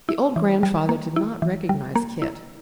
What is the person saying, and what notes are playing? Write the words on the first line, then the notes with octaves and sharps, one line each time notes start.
The old grandfather did not recognize Kit.
E4
E3
G3
A#3
E4
E3
G3
A#3
E4